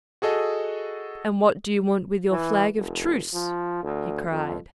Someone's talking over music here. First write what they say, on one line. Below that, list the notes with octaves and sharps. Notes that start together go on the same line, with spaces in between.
"And what do you want with your flag of truce?" he cried.
F#4 G#4 A4 D#5
E3
F1
F3
D2
F2